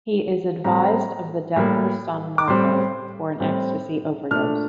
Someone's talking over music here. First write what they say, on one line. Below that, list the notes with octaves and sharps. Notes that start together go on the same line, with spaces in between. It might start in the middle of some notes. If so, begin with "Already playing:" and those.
He is advised of the death of his son Marco for an Ecstasy overdose.
A2 G3 C4 A#5
A2 G3 A#3
D6
A2 G3 C4 C6
A2 G3 C4
A#2 A3 D4 F6